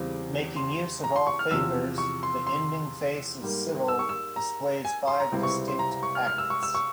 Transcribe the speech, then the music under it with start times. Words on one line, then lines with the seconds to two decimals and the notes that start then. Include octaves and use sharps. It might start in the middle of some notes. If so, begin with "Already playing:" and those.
Making use of all fingers, the ending face of Sybil displays five distinct packets.
Already playing: E2 C#3 G3 C4
0.56 C6
1.04 A#5
1.16 C6
1.27 C#6
1.39 F6
1.51 E2 C3 F3 E6
1.98 C#6
2.23 C6
2.47 C6
3.41 G#2 G3 A#3
3.88 E6
3.99 C#6
4.09 E6
4.36 A#5
4.85 G#5
5.08 C6
5.20 A#5
5.32 C#2 C3 G3 C4 E4
5.43 C#6
5.68 C6
5.79 A#5
5.92 A#5
6.03 C#6
6.15 F6
6.27 F6
6.38 E6
6.50 C#6
6.63 E6
6.75 C#6